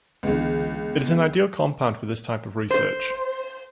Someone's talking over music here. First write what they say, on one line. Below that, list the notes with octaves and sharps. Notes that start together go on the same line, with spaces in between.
It is an ideal compound for this type of research.
C#2 D3 E3 B3
C5